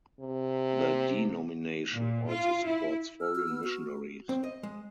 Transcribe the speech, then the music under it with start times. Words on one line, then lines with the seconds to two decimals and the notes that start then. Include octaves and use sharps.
The denomination also supports foreign missionaries.
0.20 C3
1.92 A#2
2.29 F4
2.65 E4
3.21 E6 F6
3.35 F#4
3.48 B3
3.64 F#4
4.29 C4
4.44 D#5
4.63 G#3